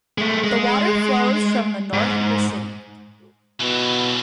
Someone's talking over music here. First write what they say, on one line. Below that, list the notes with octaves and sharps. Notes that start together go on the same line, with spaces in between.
The water flows from the north of the city.
G#3 A3
G#3
G#2
B2 E3 F#3